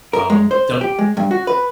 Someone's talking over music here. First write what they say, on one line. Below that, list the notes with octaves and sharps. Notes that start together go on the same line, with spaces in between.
um, don't
A#4
G#3
C5
G4
G#3
G2
F#4
B4